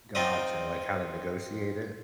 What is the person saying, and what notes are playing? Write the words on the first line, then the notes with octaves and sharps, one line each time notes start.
Gotcha. Like how to negotiate it?
C4 D#4 F4 D5 D#6